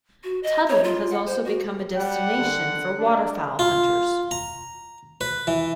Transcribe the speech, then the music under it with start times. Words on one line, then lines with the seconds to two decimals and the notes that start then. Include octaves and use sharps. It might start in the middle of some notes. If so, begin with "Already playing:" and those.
Tuttle has also become a destination for waterfowl hunters.
0.24 F#4
0.43 D#5
0.69 C#5
0.84 F4
1.11 F#5
1.26 C5
1.45 F#4
1.97 G3 F#5
2.37 D3
2.99 D4
3.59 F4
4.31 A#5
5.21 B4
5.47 E3